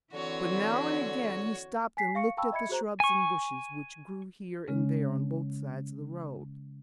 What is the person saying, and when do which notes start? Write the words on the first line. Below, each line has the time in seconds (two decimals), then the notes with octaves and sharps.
But now and again he stopped and looked at the shrubs and bushes which grew here and there, on both sides of the road.
0.13 D3 E3 C4 F#4 C#5
1.97 G#5 B6 C7
2.15 F5 C#6 C#7
2.37 F5 G5 A5 B5 C#6 E6
2.52 D#5 E5 B5 G#6 C#7
2.69 F#4 G#4 C5 A#5
3.00 G#5 C#6
4.68 C#3 G#3 C#4